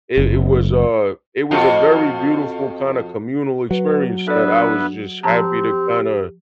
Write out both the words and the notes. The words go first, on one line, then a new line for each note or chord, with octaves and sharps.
it it was a it was a very beautiful kinda communal experience that I was just happy to kinda
F#1
F2 F4 F#4
F#3 B4
B3 D4 A4 B4 D5 E5
F3 C4 G4 A5 A#5